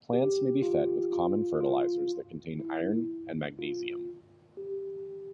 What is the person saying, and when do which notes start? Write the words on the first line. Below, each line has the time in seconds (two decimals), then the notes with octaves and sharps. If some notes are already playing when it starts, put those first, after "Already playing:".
Plants may be fed with common fertilizers that contain iron and magnesium.
0.13 G4
0.62 F4
1.12 F4
1.61 F4
2.60 E4
3.59 F4
4.57 G4